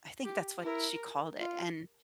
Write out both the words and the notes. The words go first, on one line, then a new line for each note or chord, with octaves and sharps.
I think that's what she called it, and
G4
E4 A#4
F4